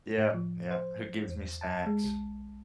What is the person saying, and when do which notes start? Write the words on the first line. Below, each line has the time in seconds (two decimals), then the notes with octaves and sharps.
Yep. Yep. "Who gives me snacks,"
0.18 A2
0.34 F3
0.71 C5
1.28 E2
1.61 A5
1.86 G#3
2.04 B1